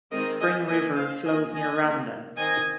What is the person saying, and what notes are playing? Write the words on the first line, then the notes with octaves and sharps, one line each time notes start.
Spring River flows near Ravenden.
D#3 G#3 C4 A#4 D#5
D#5 G#5
D#3 A#3 D#5 G#5
C5 F5
F3 A#3 D#5 G#5
D#5 G#5
D#3 A#3
D#3 C4 D#5 G#5